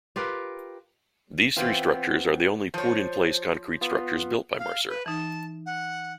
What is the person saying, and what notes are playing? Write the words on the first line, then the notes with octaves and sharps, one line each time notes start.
These three structures are the only poured-in-place concrete structures built by Mercer.
F4 G4 A#4 B4
E3 B3 C4 F4 G5
F3 C5 C#5
B3 F4
F5
B4
E3 D#4 A5
F#5